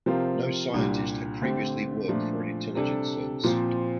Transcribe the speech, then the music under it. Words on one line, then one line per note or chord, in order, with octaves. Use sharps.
No scientist had previously worked for an intelligence service.
C3 F3 C4 F4 A#4
C2 A#2 G3 D4
D3 A3 C4 G4
A#2 F3 A3 D4
C3 G3 D4 A4
A#2 F3 C4